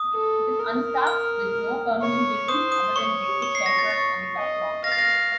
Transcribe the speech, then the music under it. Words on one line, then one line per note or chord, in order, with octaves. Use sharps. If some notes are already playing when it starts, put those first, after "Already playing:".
It is unstaffed, with no permanent buildings other than basic shelters on the platform.
Already playing: D#6
A4
A#4
F6
C#5
C5 D#6
D#6
C#5 C#6
C#6
C7
A#6
A6
A6
D#5
F5 A#6
A6
A#6